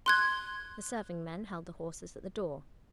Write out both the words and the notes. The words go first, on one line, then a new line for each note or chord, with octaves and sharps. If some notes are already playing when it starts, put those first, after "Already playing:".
The serving-men held the horses at the door.
C6 F#6 G#6